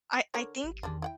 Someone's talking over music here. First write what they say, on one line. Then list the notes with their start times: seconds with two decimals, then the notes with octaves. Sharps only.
I I think
0.34 D3 A#4 C#5
0.64 G#1
0.83 E2 D#3 G3 G#3 D4
1.02 E4 F#5 G5